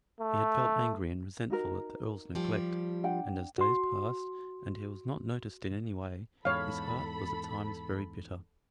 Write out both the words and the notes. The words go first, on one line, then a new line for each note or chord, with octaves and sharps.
He had felt angry and resentful at the Earl's neglect, and as days passed and he was not noticed in any way, his heart was at times very bitter.
A3
D#4 F#4 A#4
F3 G3 G4
D4 F#5 G5
F#4 C6
E2 G#2 A4 C#5 F5 B5